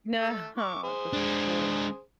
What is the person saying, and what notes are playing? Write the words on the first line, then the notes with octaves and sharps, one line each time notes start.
No. This is true.
A3 A4
C#6 D6
G#4 C5
G#3 D4